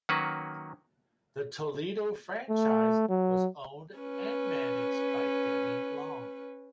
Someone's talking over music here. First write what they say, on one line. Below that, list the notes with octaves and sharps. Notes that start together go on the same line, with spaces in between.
The Toledo franchise was owned and managed by Denny Long.
D#3 F#3 A#3 C#4 F#4 B4
A3
F#3
C#4 B4